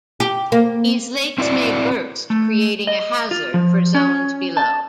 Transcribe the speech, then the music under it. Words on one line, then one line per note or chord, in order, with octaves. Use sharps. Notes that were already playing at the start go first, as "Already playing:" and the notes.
These lakes may burst, creating a hazard for zones below.
G4
A#3
C4 E4 F#4 C#5 D5
A3
D#5
F4
F3
C#4
A5